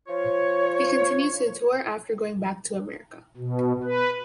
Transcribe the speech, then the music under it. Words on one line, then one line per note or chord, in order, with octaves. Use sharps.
He continued to tour after going back to America.
F3 F4 C#5
B2
B4